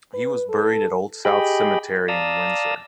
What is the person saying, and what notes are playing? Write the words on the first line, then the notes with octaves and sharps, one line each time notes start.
He was buried at Old South Cemetery in Windsor.
B4
A4
G4 G#4 D#5 G5 B5
D5 F5 A5 A#5 D#6 E6